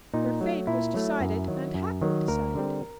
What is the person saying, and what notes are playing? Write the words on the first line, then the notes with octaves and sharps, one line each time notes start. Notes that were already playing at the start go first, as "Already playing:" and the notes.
Her fate was decided and happily decided.
A#2 D#4
F#3 A3
A#2 E4
F#3 A3
F#2
D#3 F#3
F#2
D#3 F#3
D2 A#4
D3 G3 C4